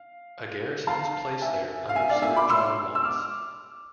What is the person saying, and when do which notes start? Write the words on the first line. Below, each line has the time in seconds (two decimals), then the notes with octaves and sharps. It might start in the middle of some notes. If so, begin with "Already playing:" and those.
A garrison was placed there under Sir John Watts.
Already playing: F5
0.87 F5 A5
1.41 E5 G#5
1.89 F5
1.95 E5 G#5
2.09 D5 F5
2.22 E5 G#5
2.36 B5 D6
2.49 C6 E6
2.95 E6
3.04 D6 F6